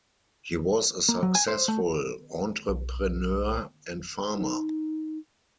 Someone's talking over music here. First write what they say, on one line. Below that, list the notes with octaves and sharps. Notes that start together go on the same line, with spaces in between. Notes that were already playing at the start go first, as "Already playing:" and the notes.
He was a successful entrepreneur and farmer.
A#3
F#3
G#5
C5
A3
B1
D#4